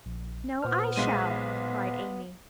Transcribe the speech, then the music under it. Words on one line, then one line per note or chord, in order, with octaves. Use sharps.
"No, I shall!" cried Amy.
A#1
A#2 B3 C5 F6
B1 G#3 D#7